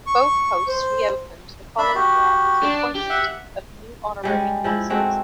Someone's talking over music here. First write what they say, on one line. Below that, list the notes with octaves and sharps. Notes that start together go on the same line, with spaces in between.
Both posts reopened the following year with the appointment of new honorary consuls.
C#6
C5
D4 E5 B5
F#4 G4
D4
G4
E5 F#5
G3 G#3 C#4
F3 G#3 E4
G#3 A3 C4 F#4